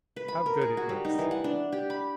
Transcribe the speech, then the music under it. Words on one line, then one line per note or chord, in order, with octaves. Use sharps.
How good it looks!
B4
B5
A#4
G#4
F#4
G3
D#4
E3
F#5
D4
G4
B5